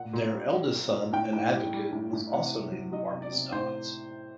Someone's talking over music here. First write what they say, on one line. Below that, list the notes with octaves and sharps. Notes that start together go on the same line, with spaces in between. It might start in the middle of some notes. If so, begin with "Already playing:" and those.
Their eldest son, an advocate, was also named Marcus Dods.
Already playing: A#2 F#5
A#2
G3
G3
A#2
A#2
A2 G5
A2
G3
G3
A2
A2
C3 F#5
C3
F#3
F#3 D#5
C3
D5
C3
A2 C5